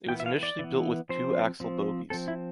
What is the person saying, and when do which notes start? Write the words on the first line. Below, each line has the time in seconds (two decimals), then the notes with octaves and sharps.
It was initially built with two-axle bogies.
0.09 E3 B3 G5
0.20 E5
0.26 F5
0.43 D5
0.59 E3 B3
1.09 F3 C4 C5
1.60 F3 C4
2.10 F3 C4 A4
2.28 E4